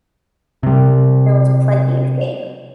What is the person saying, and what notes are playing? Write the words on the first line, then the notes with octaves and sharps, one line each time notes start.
There was plenty of game.
C3 G3